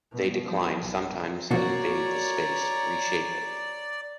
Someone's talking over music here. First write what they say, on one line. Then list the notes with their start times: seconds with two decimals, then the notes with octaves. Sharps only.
They decline, sometimes invade the space, reshape it.
0.12 B2 G3
0.44 F3
0.79 B1
1.51 B2 F3 A#3 F#4 C#5 D5 A#5